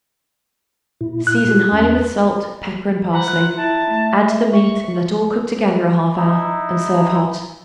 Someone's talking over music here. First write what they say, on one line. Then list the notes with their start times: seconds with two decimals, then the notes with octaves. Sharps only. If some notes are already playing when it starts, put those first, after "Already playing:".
Season highly with salt, pepper and parsley; add to the meat, and let all cook together a half hour and serve hot.
1.01 A#2 E4
1.27 F#6
1.48 F4 G4
1.72 E2 C#4 A5
3.13 F3 C5 F#5 A#5 B5
3.28 F4 F#6
3.57 E4 E5 A5
3.89 A3
4.52 C#6
6.16 D#4 E4